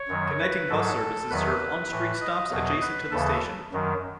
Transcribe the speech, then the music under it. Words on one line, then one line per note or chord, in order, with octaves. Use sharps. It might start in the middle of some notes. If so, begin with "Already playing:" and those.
Connecting bus services serve on-street stops adjacent to the station.
Already playing: C#5
F#2 D#3 F#3
B4
G#2 F#3 A4
E2 D#3 F#3 B4
A2 E3
D#5
E2 B2 F#3
B4
D#2 C#3 E3 A4
F#2 D#3 F#3